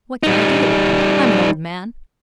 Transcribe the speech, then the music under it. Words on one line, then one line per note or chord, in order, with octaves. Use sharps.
What can I do? I'm an old man.
G3 D#4